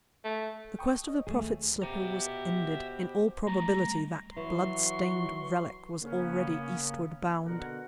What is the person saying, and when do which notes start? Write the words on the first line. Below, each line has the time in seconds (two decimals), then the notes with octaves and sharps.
The quest of the Prophet's slipper was ended; in all probability that blood-stained relic was already Eastward bound.
0.24 A3
0.79 G5 C#6 D#6
1.08 C#5 D#5
1.27 D#2 A3 G#4
1.82 B2 G4 C5 E5 A#5
3.47 G3 A3 A#5
4.37 E3 F#3 C6 C#6
6.02 C#3 A#3 B3 C#4
7.45 B2 D3 A#4 F#5